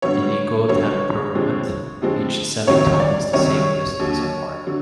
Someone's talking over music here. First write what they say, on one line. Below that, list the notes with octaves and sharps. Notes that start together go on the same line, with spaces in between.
In equal temperament, each semitone is the same distance apart.
G2 D3 F#3 B3 C#5
G2 D3 F#3 B3 C#5
F2 D3 F3 G#3 C4
F2 D3 F3 G#3 C4
C#2 C3 D#3 F#3 C#5
D5
C#2 C3 D#3 F#3 C#5
D#2 D3 F#3
D3 F#3